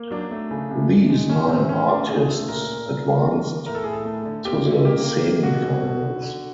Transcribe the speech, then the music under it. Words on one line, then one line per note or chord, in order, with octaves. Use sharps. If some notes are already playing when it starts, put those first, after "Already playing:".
These nine artists advanced to the Semifinals.
Already playing: A#3
F#3 D4
A3
C#3
C3
C3
G#3
A2 C#4
A2 C4
A3 C#4
A3 D4
C#3 G#4
A3 A4
A#2 A#4
A#2
A#2
G3
G3
A#3
A2 A#4
A4
A2 G#4
A4
A3
D3
A#3 G4
D3
A#3 G4
A#3
A#3
B2 F#4
B2
B2
D3
D3